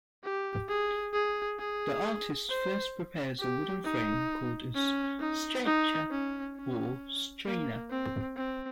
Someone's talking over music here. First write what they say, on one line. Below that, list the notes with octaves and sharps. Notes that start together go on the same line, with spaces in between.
The artist first prepares a wooden frame called a "stretcher" or "strainer".
G4
G#4
G#4
G#4
C5
G4
D#4
C#4
D#4
D#4
C#4
C#4
A#3
C4
C4